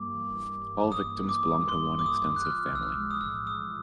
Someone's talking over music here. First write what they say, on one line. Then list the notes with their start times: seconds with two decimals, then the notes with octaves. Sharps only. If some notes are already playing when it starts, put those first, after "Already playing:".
All victims belong to one extensive family.
Already playing: G2 G3 A#3 D6
0.14 E3
0.40 G3
0.66 G2
0.91 A#3 D#6
1.17 E3
1.29 D6
1.42 G3
1.68 G2 C6
1.94 A#3
1.99 D6
2.06 D#6
2.19 E3
2.36 F#6
2.44 F3 F6
2.70 B1
2.75 E6
2.83 F6
2.95 G#3
3.11 D#6
3.21 A2 E6
3.47 F3 D#6